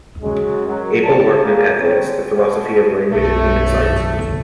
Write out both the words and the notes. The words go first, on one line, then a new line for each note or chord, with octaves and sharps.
Apel worked in ethics, the philosophy of language and human sciences.
F#3 G#3 C#4
F#3 A#4
E4 F4 G#4 D5 A5
A#3 G#4
D3 G3 C4 G#4 C#5
F#2 B2
B1 F#2 A3